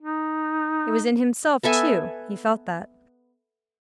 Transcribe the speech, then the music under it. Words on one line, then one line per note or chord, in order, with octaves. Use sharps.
It was in himself too, he felt that.
D#4
B3 A4 E5 G#5